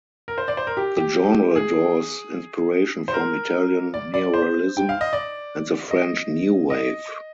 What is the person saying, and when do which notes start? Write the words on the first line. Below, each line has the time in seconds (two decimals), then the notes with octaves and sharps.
The genre draws inspiration from Italian neorealism and the French New Wave.
0.28 A#4
0.38 C5
0.48 D5
0.57 C5
0.67 A#4
0.77 G4
0.97 G4
1.56 G#4
3.08 C5
3.14 A#4
3.94 D5
4.14 D5
4.34 C5
4.77 G5
4.89 F5
5.01 D#5
5.13 D5
5.91 D#5
6.70 D#5